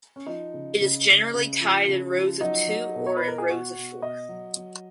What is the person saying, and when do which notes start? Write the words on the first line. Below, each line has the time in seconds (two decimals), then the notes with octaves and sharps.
It is generally tied in rows of two or in rows of four.
0.16 C#4
0.26 F3 D#4
0.54 C#3
0.81 C#3
1.07 C#3
1.34 C#3
1.60 F3
1.88 C#3
2.15 F3
2.41 F#3 D#4
2.68 F#3
2.95 B2
3.06 C#5
3.16 B4
3.22 B2
3.28 A#4
3.38 G#4
3.49 B2 F#4
3.75 B2
4.02 B2 D#5
4.29 F#3
4.56 F#3